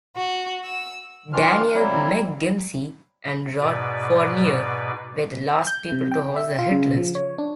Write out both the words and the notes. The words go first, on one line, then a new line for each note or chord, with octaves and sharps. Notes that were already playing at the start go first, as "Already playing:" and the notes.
Danielle McGimsie and Rob Fournier, were the last people to host the "Hit List".
F#4
E6
D#3 E3 D4 F4 F6
F#3 G3 A#3 C4 E4
G#2 B2 B4 D5
G6
C3
G5
E5
F4
C#3
F3
C#5
D4